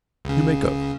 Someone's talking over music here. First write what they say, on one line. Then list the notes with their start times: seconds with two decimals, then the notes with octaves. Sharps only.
"You may go."
0.25 C#2 C#3